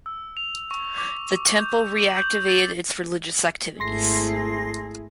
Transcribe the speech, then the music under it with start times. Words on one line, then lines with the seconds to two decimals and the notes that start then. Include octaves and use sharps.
The temple reactivated its religious activities.
0.06 E6
0.37 F7
0.71 C#6
0.98 D6
1.59 G6
1.99 F#7
2.17 G6
2.48 A6
3.80 G#1 A3 E4 G#4 C6 A#6 C7